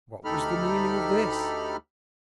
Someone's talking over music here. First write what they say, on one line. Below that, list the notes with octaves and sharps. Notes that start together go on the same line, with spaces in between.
What was the meaning of this?
D2 D#4 G4 A4 B5 F6